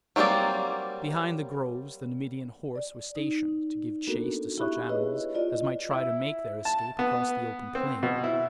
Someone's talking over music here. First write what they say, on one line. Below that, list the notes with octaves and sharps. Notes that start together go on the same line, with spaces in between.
Behind the groves the Numidian horse were stationed, to give chase to such animals as might try to make their escape across the open plain.
F#3 G3 A#3 C4 D5
D5
D#4
A#3 B3 D4 F#4 A4 A#4
E4 G4 E5 B5 C#6 F#6
E4 G#4 B4 C#5 D#5
F4 D5 D#5
E4
A5
B3
C4
B2
E4